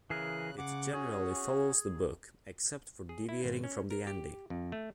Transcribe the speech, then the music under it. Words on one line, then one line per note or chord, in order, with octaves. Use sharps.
It generally follows the book, except for deviating from the ending.
C#3 E3 G#4 A#4 F#6
C#3 F#5 D6
C#4 F#4 G#4
F2
G#4
E4
G#1
C#4
A#4
G4
F2
A3